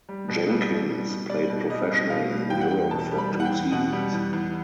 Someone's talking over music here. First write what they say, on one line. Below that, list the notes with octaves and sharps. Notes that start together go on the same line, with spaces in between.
Jenkins played professionally in Europe for two seasons.
G3
B2
G3
B2
G3
B2
G3 D5
B2
G3 D#5
B2
B2 F5
G3
E2 G5
F#5
E2 G5
B2 A5
G3
B5
E2
F#5
G5
E2
B2 F#5
G3
E2
E2